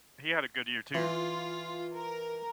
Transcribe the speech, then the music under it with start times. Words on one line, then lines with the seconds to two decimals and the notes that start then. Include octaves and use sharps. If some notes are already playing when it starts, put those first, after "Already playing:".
he had a good year too.
0.95 E3 F4
1.96 A#4